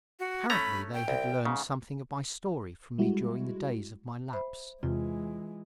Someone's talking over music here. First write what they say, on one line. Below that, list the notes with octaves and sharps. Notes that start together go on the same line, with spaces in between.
Apparently they had learned something of my story from me during the days of my lapse.
F#4
A3 C#4 A#5 B5
G5
C2
G#2 C#3
G3 G#3 E4 F#4
C5 E5 B5
E2 C3 E3 G#3 F4